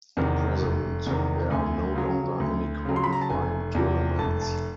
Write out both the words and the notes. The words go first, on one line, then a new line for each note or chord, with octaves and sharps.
At present, there are no longer any qualifying tournaments.
E2 C3 D#3
F1
E2 C3 D#3
D2 G#5
C#3 F#3
D2
C#3 F#3
C6
B5
A#5
A5
F1 G#5
E2 C3 F3
F1 A5
A5